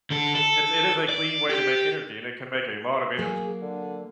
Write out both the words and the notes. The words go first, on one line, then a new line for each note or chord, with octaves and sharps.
It's it is a clean way to make energy, and it can make a lot of energy.
D3 A4
A4
D5
G4
F#3 A#3 G#4
D3